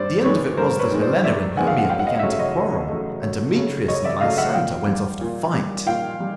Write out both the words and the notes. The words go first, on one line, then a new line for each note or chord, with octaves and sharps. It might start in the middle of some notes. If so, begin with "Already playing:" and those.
The end of it was that Helena and Hermia began to quarrel, and Demetrius and Lysander went off to fight.
Already playing: G2 C5 D5
D#3 G#3 B4 C#5
G2 A#4 C5
B4 C#5
D#3 G#3
C5 D5
G2 D5 E5
D#3 G#3 F#5 G#5
F5
F#5
F#2 F5 G5
F#5
D#5 F5
E5
C#3 F#3 A3 C#5 D#5
E5
C#5 D#5
F#2
C#3 F#3 A3
F#2
C#3 F#3 A3
F#2 C#5 D#5
D5 E5
C#3 F#3 A3 D#5 F5
E5 F#5
A#2 F5 G5
G3
A#2
G3
A#2 F5 G5
G3